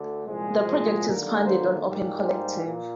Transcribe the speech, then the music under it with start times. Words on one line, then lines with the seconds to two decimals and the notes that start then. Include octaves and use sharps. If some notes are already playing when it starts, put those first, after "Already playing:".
The project is funded on Open Collective.
Already playing: D2 D3
0.27 C2 A#2 F3 G#3
0.67 C5
1.07 D#2 D3 G3 A#3 A#4
1.46 C5
1.85 G#2 G3 A#3
2.25 C5
2.65 A#2